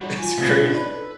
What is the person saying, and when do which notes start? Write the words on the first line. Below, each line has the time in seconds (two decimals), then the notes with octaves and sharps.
That's crazy.
0.01 G3 D#4 F#4 C#5
0.19 F4 G#5
0.37 C2 B2 F3 C4
0.73 D4 D#4 B4 C#5
0.96 A4